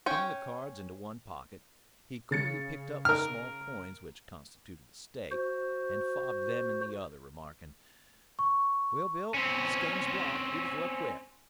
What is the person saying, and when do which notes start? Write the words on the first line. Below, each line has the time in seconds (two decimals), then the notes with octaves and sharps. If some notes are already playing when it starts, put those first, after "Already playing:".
Putting the cards into one pocket, he coolly picked up the small coins which constituted the stake, and fobbed them in the other, remarking, "Well, Bill, this game's blocked; we'd as well quit."
0.06 C#4 C#5 G5
2.31 C#3 A6 C#7
3.05 A#4 F6
5.31 F#4 C5
8.39 C#6
9.34 C4 C#4